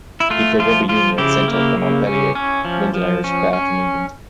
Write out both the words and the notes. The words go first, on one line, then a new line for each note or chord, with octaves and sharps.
He played rugby union at centre for Montpellier, London Irish, Bath and England.
E4
A3 F4
F3 F4
F3 F4
C#3 E4 G4
A#3
C#3
C#4
C#4
F3
F3
C#4
C#4